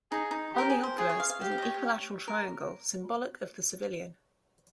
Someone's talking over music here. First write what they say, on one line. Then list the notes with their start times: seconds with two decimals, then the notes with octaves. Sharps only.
On the obverse is an equilateral triangle symbolic of the civilian.
0.11 D#4 G#4
0.31 D#4
0.54 G4 A#4
0.70 G#4
0.83 C5
0.98 F4 G#4
1.09 C#5
1.20 F5
1.30 F5
1.41 G4 F5
1.51 F5
1.58 D#5
1.62 C#5
1.74 C#5
2.28 A#4